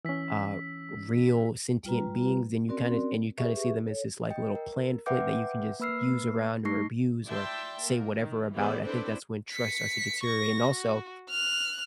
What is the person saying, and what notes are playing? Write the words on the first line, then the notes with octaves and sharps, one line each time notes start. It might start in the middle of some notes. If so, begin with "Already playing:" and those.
uh, real sentient beings, then you kinda and you kinda see them as this, like, little plan flip that you can just use around or abuse or say whatever about, I think that's when trust starts to deteriorate and also,
E3 C#4 E6 B6
G3 F4 B4 A#5
C4 C#4 F#4 A#4 D5 C6
G4 G#4 B4 E5 C#6
A4 C#5
D#5 G5
A#4
B4 E5 F#5 G5 D6 G6
A#3 B4 B5 E6 F6 C7
A3 D#4 C#6 A#6 C7
E4 D5 E5 G5 A5 C6
A#3 A#4
D#3
E3 B3 G4 G#4 C5 D5
C4 D4 E4 A4 B4 C5
B6 C#7
C#6 A#6
F#4
F6 F#6